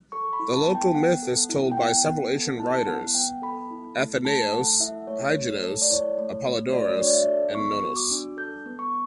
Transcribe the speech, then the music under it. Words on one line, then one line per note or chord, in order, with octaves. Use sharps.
The local myth is told by several ancient writers: Athenaios, Hyginos, Apollodoros, and Nonnos.
A4 C#6
B5
E4
A5
B3
G5
B3 F#5
A4
E4
G5
B3 F#5
B3
A4
E4 A5
B3 F#5
B3 G5
A4 B5
E4
A3
A3 A5
A4 F#5
E4 E5
A3 C#5
A3
A4
D5
E4 C#5
A3
A3
F#4 D5
D4 C#5
D5
E5
A4
B3 C#6
F#4
D6
D4
A4 G6
B3
C#6